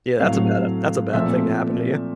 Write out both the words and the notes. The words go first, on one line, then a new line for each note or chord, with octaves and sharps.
Yeah, that's a bad that's a bad thing to happen to you.
A2 F#3 A3 C4 F5
A#2 F3 A3 C4 E5